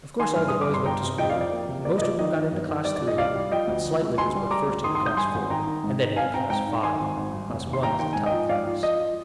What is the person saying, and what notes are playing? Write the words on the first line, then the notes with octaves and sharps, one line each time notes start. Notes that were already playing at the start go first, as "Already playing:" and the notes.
Of course all the boys went to school; and most of them got into Class III, but Slightly was put first into Class IV and then into Class V. Class I is the top class.
D#3 G#5 C6
G2 F6
G2 D#6
D6
G2 C6
G1 G5 A#5
C3
F2 D#5 G5
D5 F5
F2
D5
A#3
C3
A#3 D5
D#5
F3 D5
D#3 D#5
D#3
G1
D#3
G3 D5
D5
A#2
D#5
C2 D5 F5
G3
F3 D#5 G5
D2
F3
G#3
D2 G#5 C6
G3
G3 A#5 D6
D2
D#3 C6 D#6
C6 D#6
G#1
D#6 G6
G2 G#5 C6
G#1
D#3 G5 A#5
D#3
G#2
D#3
C4 F5 G#5
C4 G5 A#5
G#2 G5 A#5
D#4
D#3 G#5 C6
G#1
G#1
G2
F1
D#2
C6
D#2 G5 A#5
D#3 G5
G#2 G#5
D#5 G5
F3
G#2 D5 F5
F3
F3 D#5
F3